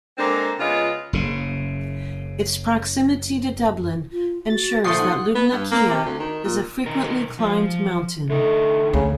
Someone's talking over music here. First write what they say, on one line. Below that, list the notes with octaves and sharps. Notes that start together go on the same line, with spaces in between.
Its proximity to Dublin ensures that Lugnaquilla is a frequently climbed mountain.
G#3 A#3 C4 D4 A4
C#3 G#3 B3 F4
F#1 C#3
F4
F#4 A6
A#2 F3 A3 C6 C#6 D#6 C7
D#4 F#5
B3
G2
A#3
C3
D2
D#3
A#2
B2 D#3 A#4
F3
D3 A3 D#4
D2 C#3